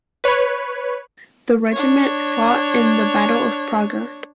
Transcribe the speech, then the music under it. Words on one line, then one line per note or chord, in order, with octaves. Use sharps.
The regiment fought in the battle of Praga.
B4 C#5
D4 C#5